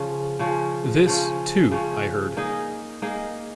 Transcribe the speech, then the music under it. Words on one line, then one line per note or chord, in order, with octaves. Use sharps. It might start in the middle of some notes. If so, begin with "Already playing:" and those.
This, too, I heard.
Already playing: C#3 F3 C#4
C#3 F3 C#4
C#3 F3 C#4
C#3 F3 C#4
A#3 D#4 G#4 D#5
A#3 D#4 G#4 D#5